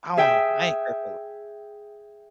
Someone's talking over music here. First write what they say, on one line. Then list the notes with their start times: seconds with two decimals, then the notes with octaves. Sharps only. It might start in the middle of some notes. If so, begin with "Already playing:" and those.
I don't know. I ain't care for L
0.17 G#4 E5 G5